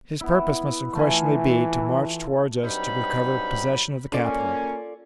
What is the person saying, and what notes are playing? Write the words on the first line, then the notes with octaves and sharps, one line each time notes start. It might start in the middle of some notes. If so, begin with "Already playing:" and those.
His purpose must unquestionably be to march towards us to recover possession of the capital.
B3 E4
E3 A3 F4 G#5
G2 F#3 C4 D#4 B5
A#3 C#4 F4 A4 D5